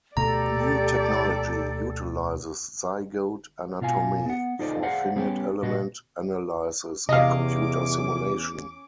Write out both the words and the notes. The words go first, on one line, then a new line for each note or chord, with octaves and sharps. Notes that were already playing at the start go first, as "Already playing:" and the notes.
New technology utilizes Zygote anatomy for finite element analysis and computer simulation.
D2 B2 A3 G4 A4 D5 A#5
B2 F4 F5 G#5
B3 F#5
D#4 F4 A4 C5 D5 D#5
G#4 C5 D5 F5 F#5
G3 B3 C#4 D4 G4
A#2 F#4 B4 D#5
E2 C3 C#4 D#5 F5 D6